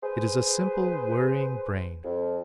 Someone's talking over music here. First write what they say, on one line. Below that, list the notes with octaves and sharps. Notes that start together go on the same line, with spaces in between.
It is a simple, worrying brain.
G#4 B4 C5
F2